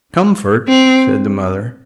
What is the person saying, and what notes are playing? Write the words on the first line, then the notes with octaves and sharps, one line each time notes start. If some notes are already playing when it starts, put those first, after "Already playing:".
"Comfort!" said the mother.
C4